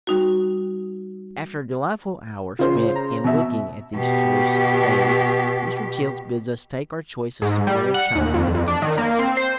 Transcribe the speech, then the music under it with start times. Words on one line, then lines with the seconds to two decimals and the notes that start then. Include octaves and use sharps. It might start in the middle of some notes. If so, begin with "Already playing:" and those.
After a delightful hour spent in looking at these choice things, Mr. Childs bids us take our choice of some rare china cups and saucers.
0.07 G3 D#4 F#4
2.59 C#3 F4 C5
2.95 A#5
3.24 B2 E5
3.96 B2 G4
7.42 G#2
7.67 G3
7.94 F#5
8.15 D#2
8.34 F2
8.55 F2
8.68 D4
8.82 D#3
8.98 A#3
9.19 C4
9.37 C5